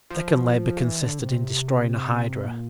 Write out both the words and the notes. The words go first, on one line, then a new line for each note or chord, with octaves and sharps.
The second labor consisted in destroying a hydra.
F3
E3
D3
C3
A#2